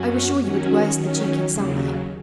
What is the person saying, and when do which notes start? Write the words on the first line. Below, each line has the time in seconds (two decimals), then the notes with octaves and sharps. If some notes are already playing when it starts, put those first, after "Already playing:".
I was sure you would worst the duke in some way.
Already playing: F#2 F#3 C#4 F#4
0.41 D#3 F#3 C#4 F#4
0.95 D#3 F#3 C#4
1.50 D#2 C#3 F#3